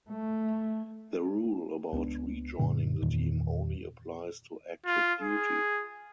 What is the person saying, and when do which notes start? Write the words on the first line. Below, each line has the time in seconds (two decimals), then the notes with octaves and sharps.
The rule about rejoining the team only applies to active duty.
0.10 A3
1.93 C#2 B3 D4
2.59 F#2 A#2 D3
3.02 E2 A#2 D#3
4.86 F4
5.21 G#4